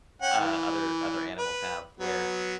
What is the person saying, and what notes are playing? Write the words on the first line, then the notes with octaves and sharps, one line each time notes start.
uh, other other animals have where,
C#4 F#5 G5
E3
B4
F#3 B3